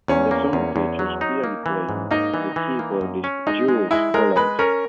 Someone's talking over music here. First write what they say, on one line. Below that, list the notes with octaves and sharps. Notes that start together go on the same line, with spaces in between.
The song features piano playing by keyboardist Jools Holland.
E2 C#4
A#3
E2
E2
F#3
D#4
A#3
E3
G#2
A#3 D#4
E3
E3
A#3
F#2
C#4
G#3 D#4
G#3
G#3 E4
G#3 A#4
G#3 B4
C#4 A#4